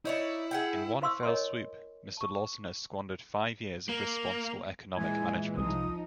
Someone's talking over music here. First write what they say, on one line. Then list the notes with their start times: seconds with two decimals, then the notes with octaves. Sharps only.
In one fell swoop Mr Lawson has squandered five years of responsible economic management.
0.05 D#4 E4 C#5 D5
0.51 G#4 F#5 G5
1.02 E4 C5 F5 C6 C#6 E6
1.23 A#4 C#5 D#5 G#5 C6
2.17 A5 C#6
3.89 A#3
4.96 A#2 E3 G#3 G#5
5.57 C2 F3 D#4 D#6